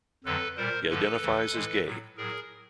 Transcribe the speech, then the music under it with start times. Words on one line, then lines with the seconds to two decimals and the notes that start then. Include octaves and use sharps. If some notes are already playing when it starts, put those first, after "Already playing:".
He identifies as gay.
0.24 F2 D3 F#3 A4 B4
0.57 A#2 G3 A#4 C5
0.89 G2 D3 F3 A4 B4
1.21 D2 C#3 E3
1.53 A2 E3 G#3
1.85 A2 F#3
2.17 A2 F#3 G#4 A#4